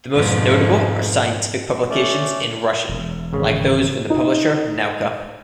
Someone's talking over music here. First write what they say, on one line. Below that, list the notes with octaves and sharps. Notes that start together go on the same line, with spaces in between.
The most notable are scientific publications in Russian, like those from the publisher Nauka.
F2 G#2 B2
A3 C#4 D5
E1
G#1 C#3
D#4